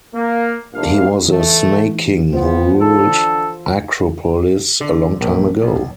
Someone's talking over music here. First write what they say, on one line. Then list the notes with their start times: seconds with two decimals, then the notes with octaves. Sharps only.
He was a snake king who ruled Acropolis a long time ago.
0.14 A#3
0.73 F#1 D2 G2 A#2 D4 F5
1.28 E3 A3
2.33 B3 F4 C5
2.81 D3 A4
4.81 D3
5.21 A#1
5.62 B1